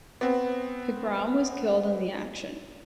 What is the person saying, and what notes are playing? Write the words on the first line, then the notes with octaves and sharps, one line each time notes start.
Pegram was killed in the action.
B3 C4